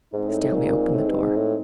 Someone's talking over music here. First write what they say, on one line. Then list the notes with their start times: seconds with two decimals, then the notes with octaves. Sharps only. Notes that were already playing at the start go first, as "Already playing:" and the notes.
Stanley opened the door.
0.13 G#2 G#3 C4 D#4
0.28 A2
0.41 A2
0.55 A#2
0.95 A2
1.08 G2
1.23 G#2
1.36 A2